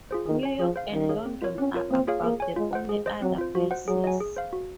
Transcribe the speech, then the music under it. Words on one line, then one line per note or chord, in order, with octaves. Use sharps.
New York and London are about the only other places.
F4 G#4 C5
D#3 G#4
C#5 G#5
F3 G#4
C5 F5
D#3 C#4
G#4 C#5 F5
C4
F4 A#4 C#5
C4 C#4
F4 A#4 C#5
A#3 C4
F4 G#4 C#5 F5
A#3 G#4
C#5 G#5
G#3 F4
C5 F#5
G#3 G#4
C5 D#5
F#3 C4
F4 C5
F3 F#4
C5 F#5
F#3 G#4
D#5 G#5
G#4
C5 F5
F#4